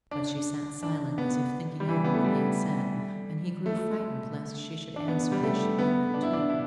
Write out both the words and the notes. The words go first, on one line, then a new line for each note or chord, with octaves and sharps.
But she sat silent, as if thinking over what he had said, and he grew frightened lest she should answer that she wondered too.
D4
D4
B3
G3
E3
B3
A3
G3
A3
D4
B3
G3
A3
B3
D4
E4
D4
E4